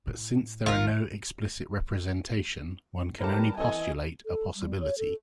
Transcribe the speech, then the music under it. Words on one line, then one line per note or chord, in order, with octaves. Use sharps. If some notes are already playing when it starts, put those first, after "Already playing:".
But since there are no explicit representation, one can only postulate a possibility.
A2
A1 D#2 F4 A#4
A2 G3 G4 A#4 B4 G5 A5
E3 C4 A4 D#5 G#5 G#6
A4
G3
C#5
A4